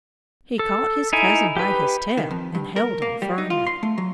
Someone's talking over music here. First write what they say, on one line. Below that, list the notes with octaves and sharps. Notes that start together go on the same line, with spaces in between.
He caught his cousin by his tail and held on firmly.
A4
D#4 E4 G#5
G4 B4
D#3
F2
G2
A#4
A#3
G3
D#4
F4
C6
A3
F#3